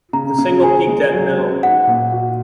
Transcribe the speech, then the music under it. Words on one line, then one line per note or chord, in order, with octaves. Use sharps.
The single peaked at no.
C#3 A#5
C#3
G#4 G#5
G#3
F#3
C#4
D#4 F#5
A#2
F#4